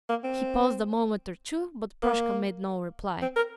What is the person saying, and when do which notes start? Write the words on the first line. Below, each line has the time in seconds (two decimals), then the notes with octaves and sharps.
He paused a moment or two, but Proshka made no reply.
0.09 A#3
0.24 C4
2.02 A#3
3.22 C4
3.36 A#4